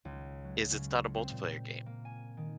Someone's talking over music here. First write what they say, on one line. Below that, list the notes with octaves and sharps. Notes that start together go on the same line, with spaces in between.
is it's not a multiplayer game,
C#2
F#3
C#3
C4
A#2
A#3
G#5
D#3